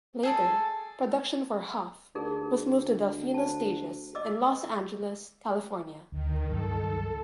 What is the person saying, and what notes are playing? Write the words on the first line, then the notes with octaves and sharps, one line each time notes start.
Later, production for "Huff" was moved to Delfino Stages in Los Angeles, California.
G#4 A4 D5
D2 D#4 G#4 A#4
C5 A5
D#5 D6 E6
D2 D#3
C#2 G2 F#3 A4